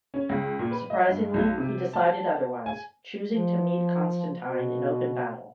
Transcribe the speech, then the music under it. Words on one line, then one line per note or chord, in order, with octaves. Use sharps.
Surprisingly, he decided otherwise, choosing to meet Constantine in open battle.
C#4
C#2
A#2
B4
D#5
G2
B1
C3
A5
G#5
F3
B2